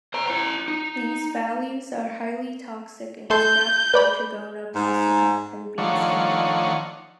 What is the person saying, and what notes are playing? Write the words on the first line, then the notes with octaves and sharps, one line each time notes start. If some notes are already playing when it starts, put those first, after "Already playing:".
These values are highly toxic in "Scaptotrigona postica" and bees in general.
C5 A#5
E4 A#5
D#4
A3 A4 C6 G6
B4 D5 B5
G#2
D#3 F3 A3 D4 C#5 F#5